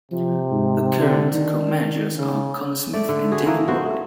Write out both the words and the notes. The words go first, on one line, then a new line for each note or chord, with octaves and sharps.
The current co-managers are Colin Smith and David Brolly.
C3 F3
G#2
D3
D#3 D4
C#3
A3 D5
D3
F#4 G#4
E3 A#3
D2 F#4 C5
A3